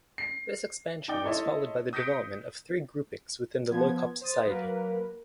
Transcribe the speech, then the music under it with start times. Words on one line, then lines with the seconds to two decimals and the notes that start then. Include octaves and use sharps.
This expansion was followed by the development of three groupings within the Loikop society.
0.18 C7
1.08 D#4 D5 G5 D6
1.24 E4 A4 C#5 D#5 C6
1.93 D#6 G6 A#6 B6 C#7 D7
3.68 F3 B3 G#6
4.21 C5 D#6 A6
4.46 F#3 A#3 A#4 B4